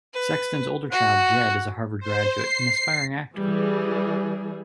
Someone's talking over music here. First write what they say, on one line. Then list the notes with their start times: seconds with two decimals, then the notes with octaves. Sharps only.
Sexton's older child, Jed, is a Harvard graduate and aspiring actor.
0.14 B4
0.92 F#4 F#5
2.00 C5
2.30 C7
3.36 E3 G3 G#4